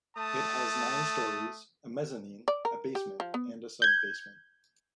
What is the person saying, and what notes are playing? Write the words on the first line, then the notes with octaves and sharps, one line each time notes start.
It has nine storeys, a mezzanine, a basement and a sub-basement.
A3 A5 D#6
D5
A#4
G4
F3
B3
G6 G#6